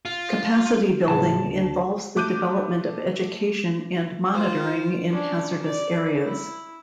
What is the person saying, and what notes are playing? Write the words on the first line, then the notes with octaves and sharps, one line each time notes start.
Capacity building involves the development of education and monitoring in hazardous areas.
F4
A2 C#3 F#3 G#4 A5
D2
A3 D6 F#6 G6 D#7
F4 C5
C#4 D4
D5
E4